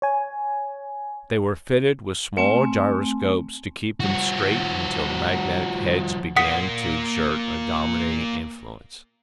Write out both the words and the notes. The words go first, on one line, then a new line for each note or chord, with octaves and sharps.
They were fitted with small gyroscopes to keep them straight until the magnetic-heads began to exert a dominating influence.
C#5 G#5
A3 C4 G#5
F3 F#4
A#3 F4 F#5 D#6 B6